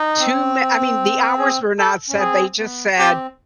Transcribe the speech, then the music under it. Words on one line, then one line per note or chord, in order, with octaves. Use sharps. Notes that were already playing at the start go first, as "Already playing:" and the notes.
too man I mean the hours were not set they just said,
Already playing: D#4
C4
G#4
A4
C#4
C4 G#4
B3
C4 G4